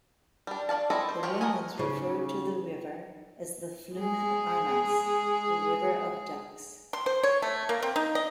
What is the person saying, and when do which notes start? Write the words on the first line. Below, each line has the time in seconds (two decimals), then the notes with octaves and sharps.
The Romans referred to the river as the Flumen Anas, the "river of ducks".
0.47 G3 D4
0.69 D4 D5 F5 A5
0.90 C4 E4 A4 D5 D#5
1.09 C5
1.23 G#3 A3 F4 G4 C#5
1.41 A4 A#4 D#5 F#5 G#5
1.78 D#2 C#3
3.95 G#3 G#4
6.93 C6
7.06 C5
7.23 C#5
7.42 A3
7.69 A#3
7.83 C4
7.96 D#4
8.15 D#5